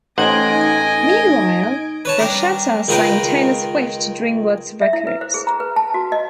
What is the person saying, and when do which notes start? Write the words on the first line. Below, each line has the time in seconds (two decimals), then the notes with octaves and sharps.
Meanwhile, Borchetta signed Taylor Swift to DreamWorks Records.
0.18 A1 D#4 C5 D#5 F#5 G#5 G#6 D7
2.05 B4 C#5 A5
2.18 G3 D4 A#4
2.88 C#2 D#3 F4 A#4 B4 G5
4.82 E5
4.93 E4
5.07 B4
5.21 C5
5.34 G#4
5.47 A#5
5.60 B4
5.76 A5
5.94 F#4
6.12 D#5